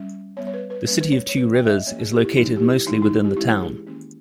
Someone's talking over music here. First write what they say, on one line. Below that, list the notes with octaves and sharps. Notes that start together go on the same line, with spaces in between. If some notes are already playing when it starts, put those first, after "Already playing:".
The City of Two Rivers is located mostly within the town.
Already playing: G3 C#4
G3 B3 C#5
C#5
B4
B4
G3 A#3 C#4 B4
B4
C#5
C#5
E3 A#3 C#4 B4
G5
E5
D#5
E3 A#3 C#4 C#5
G#4
G4
E4
E3 G3 A#3 C#4 D#4
G4
E4
D#3 G#3 C#4 D#4
E4
D#4
G4
E3 G#3 C#4 E4
G#4
D#3 A#3 C#4